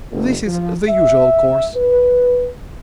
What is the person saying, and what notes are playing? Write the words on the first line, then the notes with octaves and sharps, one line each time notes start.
This is the usual course.
F#1
F3
E5
B4